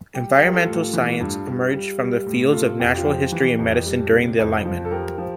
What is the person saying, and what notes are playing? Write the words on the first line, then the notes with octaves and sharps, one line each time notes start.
Environmental science emerged from the fields of natural history and medicine during the Enlightenment.
G3 G4
G3 A#4
F4 A4
A2
E3
G2
G3
G3
G3
A2
C3 F4 A4
F2 G4
F4
F3 G4
E3
F2
G3
C3
F2
F3
A4
F3 G4 A#4
F3